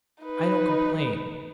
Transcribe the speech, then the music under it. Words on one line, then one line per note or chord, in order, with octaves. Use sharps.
I don't complain.
D#4 B4